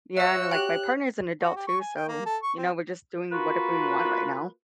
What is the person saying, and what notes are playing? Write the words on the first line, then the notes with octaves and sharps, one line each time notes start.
Yeah, and like, my partner is an adult too, so, you know, we're just doing whatever we want right now.
F#4 C#5 E5 E6 C#7
G4 G5 F#6
F#4
G4
C#6
G#5
G5
A#3
A4
C#6
C4
A#3 F4 F#4 B4